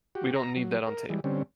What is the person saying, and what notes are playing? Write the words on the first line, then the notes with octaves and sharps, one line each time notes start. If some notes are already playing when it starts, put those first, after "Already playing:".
We don't need that on tape!
F#4 G4
A#5
F#3
A#4
E3 G3 G#3
D3 G3 C4 C#4